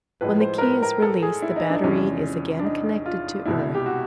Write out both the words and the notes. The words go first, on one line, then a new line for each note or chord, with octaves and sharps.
When the key is released the battery is again connected to earth.
A2 F3 G#3 B4
C5
A#4
B4
A#4
A4
G#4
E4
D#4
D4
E2 C3 F3 G#3 C#4
D4
D#4
F4
C2 B2 G#3 E4
G4
F#4